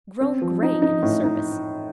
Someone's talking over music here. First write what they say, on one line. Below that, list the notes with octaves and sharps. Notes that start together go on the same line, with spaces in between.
Grown grey in his service!
C4
F3
D#4
D#4
A2
D#4